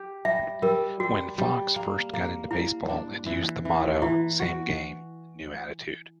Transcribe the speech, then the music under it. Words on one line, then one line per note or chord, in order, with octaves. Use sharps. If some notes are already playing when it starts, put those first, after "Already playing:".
When Fox first got into baseball, it used the motto Same game, new attitude.
Already playing: G4
G3 E5
G3 A#4
G3 F#4
G3
A#3
A#3
A#3 E4
D4
E3
E3
E3 E4
F#4